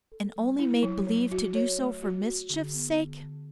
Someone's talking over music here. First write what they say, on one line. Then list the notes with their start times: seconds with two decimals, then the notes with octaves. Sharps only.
"And only made believe to do so for mischief's sake?"
0.12 A4
0.36 G3
0.59 E4
0.83 F#3
1.07 F#3
1.31 F#4
1.55 C#5
1.79 A3
2.02 F#4
2.26 F#4
2.50 D3
2.74 B3
2.98 D3
3.21 D3